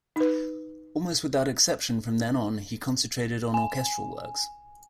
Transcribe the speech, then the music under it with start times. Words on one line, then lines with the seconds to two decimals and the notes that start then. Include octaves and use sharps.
Almost without exception from then on, he concentrated on orchestral works.
0.16 D#4 B4
3.54 G#5